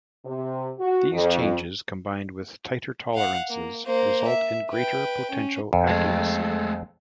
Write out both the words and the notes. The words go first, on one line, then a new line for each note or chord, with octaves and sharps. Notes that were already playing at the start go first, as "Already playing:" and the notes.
These changes combined with tighter tolerances result in greater potential accuracy.
C3
F#4
F2
F5 F#5
A#3
A#3 C5
E5
B4 G5
C#4
F2
G#3 A3